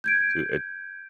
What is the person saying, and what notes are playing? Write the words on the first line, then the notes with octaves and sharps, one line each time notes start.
to ach
G6 G#6 D7